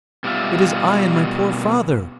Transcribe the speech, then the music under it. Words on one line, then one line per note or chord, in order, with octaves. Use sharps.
"It is I and my poor father."
B2 G3 F4 E5